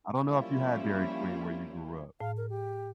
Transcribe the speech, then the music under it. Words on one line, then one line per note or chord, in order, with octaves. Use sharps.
I don't know if you had Dairy Queen where you grew up.
F3 G3 A#3 C#4 E4 F4
A2 F5
A#4
G4